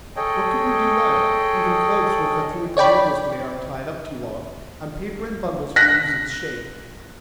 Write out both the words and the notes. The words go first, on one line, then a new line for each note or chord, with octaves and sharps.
What could we do then? Even clothes will cut through at the wrinkles when they are tied up too long, and paper in bundles will lose its shape.
G#4 A4 C#5 D#5 G5
C#5 D5 G5 B5
F#6 A#6 B6